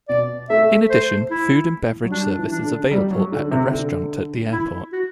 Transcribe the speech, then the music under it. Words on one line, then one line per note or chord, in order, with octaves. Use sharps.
In addition, food and beverage service is available at a restaurant at the airport.
B2 D5
A3 E5
C5
E4
F#3
G3 D4
E3
D4
D3
G3
F#3
D3
C3
D3
E4
F#4